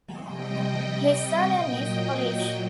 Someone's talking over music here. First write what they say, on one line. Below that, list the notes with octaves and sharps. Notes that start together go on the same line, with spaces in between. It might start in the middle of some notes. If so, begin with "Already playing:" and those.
His surname is Polish.
C3 G3 D#5 G5
A#2
F#3